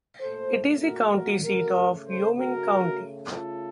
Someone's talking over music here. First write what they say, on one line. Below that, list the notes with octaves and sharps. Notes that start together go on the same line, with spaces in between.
It is the county seat of Wyoming County.
A#2 A3 A4 C5
F#4 A#4
F#4 A#4
C#3 A3 F#4 A#4
A4 C5
F#4 A#4
C#3 A3
F4 A4